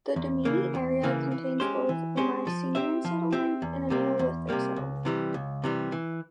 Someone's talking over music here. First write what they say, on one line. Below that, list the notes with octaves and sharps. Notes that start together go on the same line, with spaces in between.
The Dimini area contains both a Mycenean settlement and a Neolithic settlement.
E2
C#3 E3 A#3
E2
C#3 E3 A#3
E3
G#3 C#4 G4 C5
E3
G#3 C#4 G4 C5
F3
C4 G4 C5 E5
F3
C4 G4 C5 E5
E2
C3 G3 A#3
E2
C3 G3 A#3
C#2
C3 E3 G3
C#2
C3 E3 G3
E3